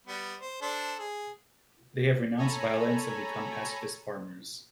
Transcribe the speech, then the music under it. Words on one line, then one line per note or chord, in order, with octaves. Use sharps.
They have renounced violence and become pacifist farmers.
G3 B3
C5
D4 A4 C5
G#4
A4 C#5 G#5 A#5 B5